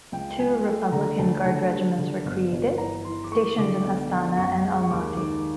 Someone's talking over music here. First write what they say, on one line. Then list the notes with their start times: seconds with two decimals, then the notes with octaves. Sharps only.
Two Republican Guard regiments were created, stationed in Astana and Almaty.
0.12 C#2 G5
0.39 C#2 G#5
0.65 A3 G5
0.92 D3 A#5
1.19 D2 A5
1.45 D3 A5
1.72 G3
1.98 D3
2.25 G1
2.52 G1
2.78 E3 A#5
3.05 E3 C6
3.24 D6
3.32 A3 C#6
3.58 D3 D6
3.84 B1
4.11 B1
4.37 F#2 C#6
4.64 G#3
4.83 C#6
4.91 D#2 D6
5.17 D#3 D6